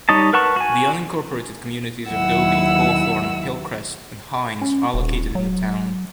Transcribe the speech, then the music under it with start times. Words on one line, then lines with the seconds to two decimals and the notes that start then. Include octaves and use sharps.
The unincorporated communities of Dobie, Hawthorne, Hillcrest, and Hines are located in the town.
0.09 G3 D#4 C#5 D#5 A5
0.33 A#4 B4 F#5 A5 C#6
0.56 F#4 G#5
2.10 D#2 F#3 E4 F#5 E6
4.62 C#4
4.94 D#1
5.35 F#3